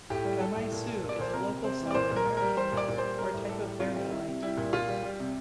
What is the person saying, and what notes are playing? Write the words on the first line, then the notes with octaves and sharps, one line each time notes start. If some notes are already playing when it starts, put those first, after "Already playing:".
"Gamaicu" is a local South American name for a type of variolite.
A2 G4
G3
G3 A4
A2
A#2
A#2
A#2
D5
A#2 C5
C3 A#4
C3
C3 C5
E3
D5
A#2 C5
A#2
A#4
A#2
G3 A#4
G3 C5
A#2
D5
A#2
G3 C5
G3 A#4
A2
G3 A4
A2
C3 F4
G3
G3 E4
C3
G3 E4
A#2
A#2 F4
G3
G3
C3